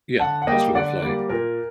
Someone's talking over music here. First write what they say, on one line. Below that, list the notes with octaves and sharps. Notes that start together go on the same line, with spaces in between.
Yeah, just for the flight.
D3 F#5 A5
F#5
G3 A#3 D#5 G5
D3 D5 F#5
G3 A#3
A#2 A#4